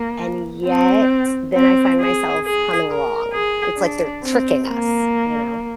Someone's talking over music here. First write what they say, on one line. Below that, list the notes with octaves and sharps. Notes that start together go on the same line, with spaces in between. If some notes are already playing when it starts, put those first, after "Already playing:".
and yet, then I find myself humming along, it's like they're tricking us, you know,
Already playing: A#3
C4
C4
G#4
G#4
A#4
G#4
D4
C4
A#3